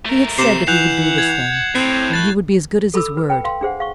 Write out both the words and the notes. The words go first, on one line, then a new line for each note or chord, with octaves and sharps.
He had said that he would do this thing, and he would be as good as his word.
A3 A#4
C3 C7 E7
E3 F#5 F#6 G6 F7
G#6
A2 C4
F#6 A6
A4 B5 D6 E6
F4 B4
G5 B5
F5 C6
D4 G#4 C5 F#5
F5 C#6